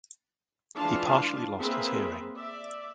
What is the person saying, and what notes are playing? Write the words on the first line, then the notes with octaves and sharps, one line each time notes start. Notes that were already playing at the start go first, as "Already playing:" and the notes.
He partially lost his hearing.
E3 G#3 D4 F4 F5 A5
A#3 C4 G#4 B4 E5
D5 E5